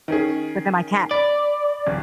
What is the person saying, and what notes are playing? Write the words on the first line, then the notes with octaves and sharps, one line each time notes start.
but then my cat
D#3 C#4 G#4
D5 B5
D1